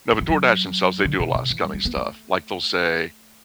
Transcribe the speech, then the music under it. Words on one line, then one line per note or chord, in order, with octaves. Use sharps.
Now, the DoorDash themselves, they do a lotta scummy stuff. Like, they'll say,
F#3
E3
F#3
D3
C3
C3
E3
G3
C4
B3
A3